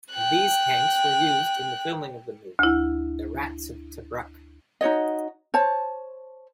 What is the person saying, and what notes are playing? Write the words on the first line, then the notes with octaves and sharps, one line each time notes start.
These tanks were used in the filming of the movie "The Rats of Tobruk".
G5 F#6
D2 E4
D#4 F#4 C#5 D#5
C5 C#5 A5